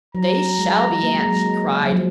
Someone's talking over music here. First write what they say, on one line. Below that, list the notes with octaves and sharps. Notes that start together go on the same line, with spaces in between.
"They shall be, aunt!" she cried.
F#3 A#5
G#3
A#3
G#3
F#3
G#3
F#3
F3